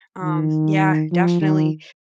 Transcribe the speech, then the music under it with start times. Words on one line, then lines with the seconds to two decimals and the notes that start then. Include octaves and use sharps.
Um, yeah, definitely.
0.23 D#3
1.12 F3
1.42 D#3